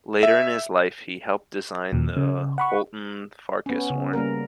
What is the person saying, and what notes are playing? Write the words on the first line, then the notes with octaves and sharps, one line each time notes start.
Later in his life he helped design the Holton Farkas horn.
E5
D#2 A#2
C#3
F#5 B5 C#6
B3 C#4
C#3
G3 A#3 A#4